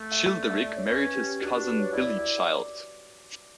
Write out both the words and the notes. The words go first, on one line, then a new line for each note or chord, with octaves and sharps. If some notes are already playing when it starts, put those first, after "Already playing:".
Childeric married his cousin Bilichild.
Already playing: A3
E5
D5
E5
D5
C#5
C#4 B4
G4
D4 F#4
B4
C#5
E4 D5
D5